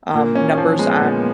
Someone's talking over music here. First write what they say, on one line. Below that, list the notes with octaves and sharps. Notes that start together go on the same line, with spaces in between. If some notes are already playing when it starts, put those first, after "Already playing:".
um, numbers on
A#2 A#3
C#4
F3
G#3 B3
A#2